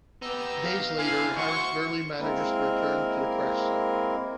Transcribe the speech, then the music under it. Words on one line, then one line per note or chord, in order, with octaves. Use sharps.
Days later, Harris barely manages to return to the crash site.
B3 D#4 G4 E6
F5
B1 D3 E4 F5 G#5
D2 F#4 C5 C#6
G#3 A#3 C4 E4 A#4